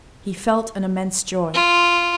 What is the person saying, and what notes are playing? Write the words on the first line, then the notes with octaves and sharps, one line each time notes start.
He felt an immense joy.
F4